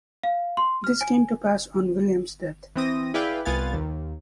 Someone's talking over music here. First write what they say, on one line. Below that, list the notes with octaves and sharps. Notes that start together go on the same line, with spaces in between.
This came to pass on William's death.
F5
C6
F6
G#5
E3 C4 D#6 A#6
E4 G#4 B4 D5 F5 G5
C2 B3 F4 F5 G#5 A6
D#2